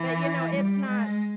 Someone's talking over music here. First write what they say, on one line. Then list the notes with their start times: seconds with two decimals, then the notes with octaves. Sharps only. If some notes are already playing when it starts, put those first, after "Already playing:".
but, you know, it's not
Already playing: E3
0.55 G3
0.87 G#3